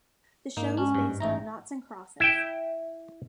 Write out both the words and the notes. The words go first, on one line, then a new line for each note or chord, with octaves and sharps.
The show is based on noughts and crosses.
G#2 A#3 D#4
C#4 D4
G2
A1 A3 D#4 A#5
E4 E5 G5